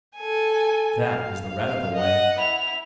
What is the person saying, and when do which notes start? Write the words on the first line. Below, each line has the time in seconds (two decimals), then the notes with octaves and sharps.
That is the radical way.
0.16 A4 G#5
1.03 F5
1.49 F5
1.94 D#5 F#5
2.39 E4 F7